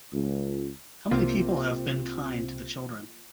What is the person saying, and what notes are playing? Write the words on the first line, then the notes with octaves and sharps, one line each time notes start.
Have many people been kind to the children?
C#2
C2 C3 A#3 C4 F4